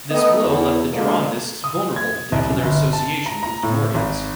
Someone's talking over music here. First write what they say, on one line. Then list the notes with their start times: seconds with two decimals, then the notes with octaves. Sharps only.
This blow left the Girondists vulnerable due to their association with Dumouriez.
0.10 D#3 A3 B3 D#5
0.44 E2
0.93 D2 D3 G#3 A#3
1.64 D#6
1.96 G#6
2.32 C2
2.50 F#2
2.63 G1
2.93 A5
3.26 A#5
3.43 A#5
3.63 A2
3.94 G#1